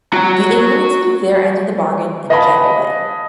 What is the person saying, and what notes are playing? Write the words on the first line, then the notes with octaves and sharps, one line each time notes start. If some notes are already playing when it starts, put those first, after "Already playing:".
The aliens keep their end of the bargain and jet away.
F#4 A#5
B4 D#5 F5 G#5 A5 B5